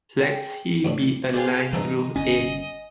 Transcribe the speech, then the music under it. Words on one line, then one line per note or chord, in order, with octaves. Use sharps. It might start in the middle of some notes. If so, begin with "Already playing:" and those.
Let "C" be a line through "A".
G#4 G5
E2 A2 D4 E4 G4
F4 G#4 C5 D5 F5 G5 G#5
G2 C3 E3 D#4 A4
G1 C#4 D#5 G#5